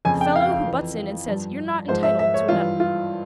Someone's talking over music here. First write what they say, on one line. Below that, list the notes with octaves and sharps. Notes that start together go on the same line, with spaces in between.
The fellow who butts in and says you're not entitled to a medal.
F2 C#3 F3 G#5
G5
F5
F5
F2 E3
G2 F3
G#2 F3 C5
E5
E5
C#5
G2 E3 F4
F4